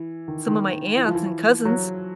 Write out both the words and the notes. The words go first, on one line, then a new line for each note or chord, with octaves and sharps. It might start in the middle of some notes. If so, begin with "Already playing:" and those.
some of my aunts and cousins.
Already playing: E3
D#3
D#3
E3
F3
E3
F#3